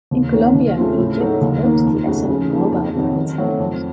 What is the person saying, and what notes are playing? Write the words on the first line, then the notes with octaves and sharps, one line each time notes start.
In Colombia and Egypt, both the Esso and Mobil brands are used.
D#2
D#3 A#3 C#4 F#4
D#2
C#3 A3 C4 F4
A2
F#3 A3 D#4 A4
D#2
D#3 A#3 D#4
F2
C#3 A3 D#4 F#4
C#3
F3 A#3 D#4
F2
C3 D#3 F#3
D#3
F#3 A3 C4
F2